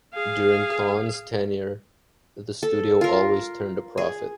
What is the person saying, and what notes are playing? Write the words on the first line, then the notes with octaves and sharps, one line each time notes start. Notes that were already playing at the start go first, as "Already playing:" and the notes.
During Cohn's tenure, the studio always turned a profit.
G#4 F5
A4
F4 A#4
G#4